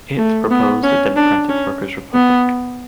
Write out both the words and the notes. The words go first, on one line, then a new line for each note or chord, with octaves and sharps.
It proposed a "democratic workers' republic".
A3
B3
C#4
D4
C#4
B3